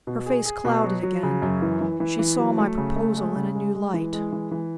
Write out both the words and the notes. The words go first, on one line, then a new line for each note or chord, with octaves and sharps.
Her face clouded again--she saw my proposal in a new light.
B2
G#4
G#4
B2
F#3
F#3
C#3
F#2
E3
E3
E3
E3
F#3
A3
C#3
A3
G#3
C#3
G#3
G#3
E3
G#3
E3
E3